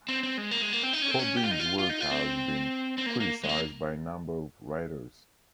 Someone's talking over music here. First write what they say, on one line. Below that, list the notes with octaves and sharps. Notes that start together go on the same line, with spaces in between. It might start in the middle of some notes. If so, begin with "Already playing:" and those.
Corbin's work has been criticized by a number of writers.
C4
C4
G#3
A#3
G#3
A#3
C4
D#4
C#4
C4
C#4
G4
F4
D#4
F4
F4
D#4
F4
C4
C4
A#3
A#3
G#3
A#3